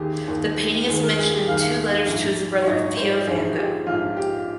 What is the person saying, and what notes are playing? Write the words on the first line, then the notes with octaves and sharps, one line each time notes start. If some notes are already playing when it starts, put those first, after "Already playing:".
The painting is mentioned in two letters to his brother Theo van Gogh.
Already playing: D#2 D#3 G4 G#4
D#2 D#3
D#2 D#3 G#4
A#4
G#4
G4
D#2 D#3 F5
A#1 G#2 F3
C#5
A#1 G#2 F3 D#5
C5
A#1 G#2 F3 G#4
G4
A#1 G#2 F3 F4
G4